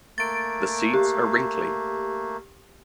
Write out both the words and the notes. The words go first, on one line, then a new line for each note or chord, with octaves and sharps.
The seeds are wrinkly.
A3 A#3 A6 D7
G4